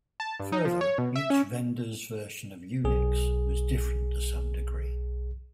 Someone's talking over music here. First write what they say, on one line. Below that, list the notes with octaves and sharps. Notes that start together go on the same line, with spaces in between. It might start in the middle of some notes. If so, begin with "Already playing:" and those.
Further, each vendor's version of Unix was different to some degree.
A5
G2
D#4
F3
C#5
B2
E5
C#4
B1 G#4